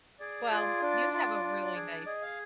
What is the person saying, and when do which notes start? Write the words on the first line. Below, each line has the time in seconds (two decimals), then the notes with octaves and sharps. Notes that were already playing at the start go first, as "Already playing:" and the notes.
Well, you have a really nice
0.20 G#4 D5
0.51 F4
0.82 D4 D5
1.13 F4
1.44 D4
1.76 G#4
2.06 G#4 D#5
2.22 F5